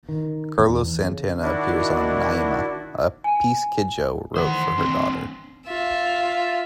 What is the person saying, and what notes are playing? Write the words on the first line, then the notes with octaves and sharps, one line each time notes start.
Carlos Santana appears on "Naima", a piece Kidjo wrote for her daughter.
D#3
E2
C#3
D#3 D4 E4 F#4
G#5
D#3 E3 C5 F#5 C6
C4 D4
F4 E5